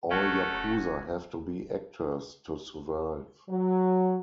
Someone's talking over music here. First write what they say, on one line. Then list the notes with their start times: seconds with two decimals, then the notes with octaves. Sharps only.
All yakuza have to be actors to survive.
0.11 A3 C#4 F#4
3.49 F#3